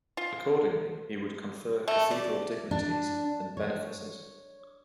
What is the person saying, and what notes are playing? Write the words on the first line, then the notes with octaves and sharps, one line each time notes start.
Accordingly, he would confer cathedral dignities and benefices.
F4
A3
D5
D4
C#5